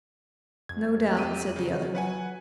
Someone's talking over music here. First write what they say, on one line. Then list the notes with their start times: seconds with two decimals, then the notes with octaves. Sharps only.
"No doubt," said the other.
0.69 F2 G#6
1.15 C4 G4 D#7
1.56 C#3 F#3
1.95 B4 F#5 G#5